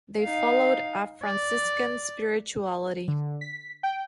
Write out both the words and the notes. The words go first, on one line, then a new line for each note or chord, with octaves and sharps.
They followed a Franciscan spirituality.
D#4 F5
D5
D3
B6
G5